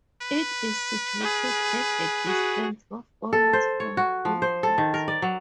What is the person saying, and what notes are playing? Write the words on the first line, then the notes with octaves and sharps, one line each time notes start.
It is situated at a distance of almost from Gilgit.
B4
G#4
F#4 G#4
A4
C5
C#5
F#4
F3
C5
A4
D#3
A#4
D5
F#3